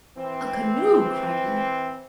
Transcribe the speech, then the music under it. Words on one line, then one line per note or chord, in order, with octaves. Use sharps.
"A canoe!" cried he.
E3 C4